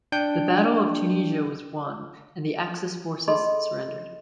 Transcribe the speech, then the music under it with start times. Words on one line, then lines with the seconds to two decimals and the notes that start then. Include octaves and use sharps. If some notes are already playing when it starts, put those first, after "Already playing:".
The Battle of Tunisia was won, and the Axis forces surrendered.
0.12 D4 G5 G6
3.28 D#4 G#4 A4 D#5 B5 C6